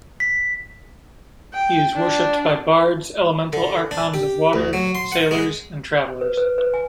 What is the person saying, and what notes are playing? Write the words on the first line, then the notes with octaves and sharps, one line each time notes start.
He is worshipped by bards, elemental archons of water, sailors and travelers.
B6
G5
D4
D3
D4
G4
D2
F#3
C6
F#5
G#3
B4
B4
B4
G#5